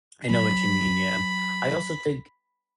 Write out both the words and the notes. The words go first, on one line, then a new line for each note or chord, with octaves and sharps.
I know what you mean, yeah. I also think
F#3 B5